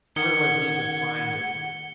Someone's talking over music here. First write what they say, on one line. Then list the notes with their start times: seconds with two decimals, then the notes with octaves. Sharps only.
Where was he to find it?
0.16 D#3 F#5 G#6 C#7 G7